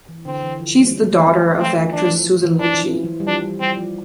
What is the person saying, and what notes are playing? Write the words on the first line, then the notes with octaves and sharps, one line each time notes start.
She is the daughter of actress Susan Lucci.
E3
D3 C4
E3
F3
G3
A3
C4
A3 C4
F3
E3 D4
F3
F3
E3
E3 D4
E3
F3
E3
G3
F3 D4
G3
G3 C4
F3